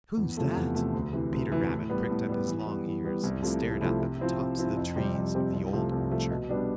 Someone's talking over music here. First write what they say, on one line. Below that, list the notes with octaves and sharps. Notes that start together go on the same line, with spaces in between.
"Who's that?" Peter Rabbit pricked up his long ears and stared up at the tops of the trees of the Old Orchard.
E2
C3 F3 A3
E2
C3 F3 A3
D2
C3 E3
D2
C3 E3
A2
G3 B3
A2
G3 B3
E3
G3 B3
E3
G3 B3
C2
C3 F3 A3 E4
C2
C3 F3 A3 E4
C3
F3 C4 E4
C3
F3 C4 E4
F2
C3 G3 C4 G4
F2
C3 G3 C4 G4
C2
C3 F3 A3
C2
C3 F3 A3
B2
G3 B3 D4